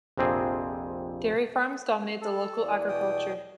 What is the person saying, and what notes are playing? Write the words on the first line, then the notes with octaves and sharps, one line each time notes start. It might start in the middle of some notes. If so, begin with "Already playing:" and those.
Dairy farms dominate the local agriculture.
A#1 F2 C3 C4 G#4
A4
E2 D5
B2 G5 D#6